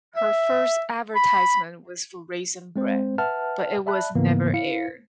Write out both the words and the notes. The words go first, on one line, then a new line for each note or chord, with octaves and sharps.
Her first advertisement was for Raisin Bran, but it was never aired.
E5
B5
G#3 C4 C5
B4 E5 F#5 A5 F6
D5 E5 A5 B5 F#6
G#2 C#3 E3 A#3 B3
E4 F5 C#7